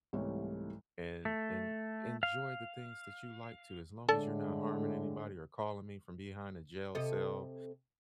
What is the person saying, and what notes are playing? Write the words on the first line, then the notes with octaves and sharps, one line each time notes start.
and and enjoy the things that you like to as long as you're not harming anybody or calling me from behind a jail cell.
C2 G#2 E3 A3 G4 C#5
A3
F5
A2 D3 G#3 A4 D5 A5
C3 A4 D#5